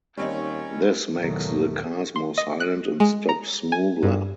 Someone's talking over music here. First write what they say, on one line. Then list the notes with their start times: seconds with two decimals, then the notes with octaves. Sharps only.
This makes the cars more silent and stop smoother.
0.17 D#2 G3 C4 C#4 D#4 C#5
1.19 E2 G#2 B2 D#3 F#3 A3
2.16 C6
2.38 D#5
2.60 F#6
3.00 G#3
3.29 A#5
3.72 G#5
4.03 G2